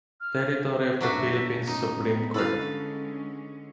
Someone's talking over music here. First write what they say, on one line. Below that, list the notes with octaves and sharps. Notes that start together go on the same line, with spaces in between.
Territory of the Philippines Supreme Court.
F6
F#2 F#3 C#4 D4 F#4 E5
C#4 D#4
B3 C4
D3 G#3 C#4 E4 A4 B4 F5